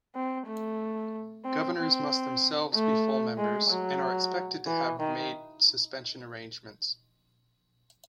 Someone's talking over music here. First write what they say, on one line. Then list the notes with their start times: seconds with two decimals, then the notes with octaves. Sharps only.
Governors must themselves be full members, and are expected to have made suspension arrangements.
0.15 C4
0.47 A3
1.45 C4
1.76 C4
2.74 A3
3.38 G#3
3.70 F#3
4.67 E3
4.99 D#3